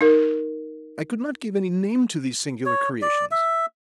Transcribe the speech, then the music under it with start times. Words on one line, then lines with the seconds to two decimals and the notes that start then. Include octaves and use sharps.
I could not give any name to these singular creations.
0.01 D#4 A#4
2.66 C#5
3.02 D5
3.31 E5